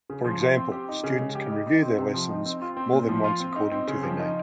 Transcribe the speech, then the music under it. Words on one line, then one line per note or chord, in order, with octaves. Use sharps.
For example, students can review their lessons more than once according to their need.
C#3
F3
F4
C4
G4
D#4
C#3
G#3
G4
D#4
D#4
C4
C3
F3
D#4
C4
F4
C4
A#2
F3
F4
C4
D#4
C4
C#3
F3
D#4